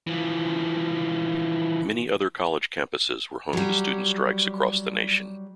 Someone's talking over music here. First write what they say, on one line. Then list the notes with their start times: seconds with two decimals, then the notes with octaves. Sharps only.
Many other college campuses were home to student strikes across the nation.
0.07 E3 F3
3.53 F#3 G3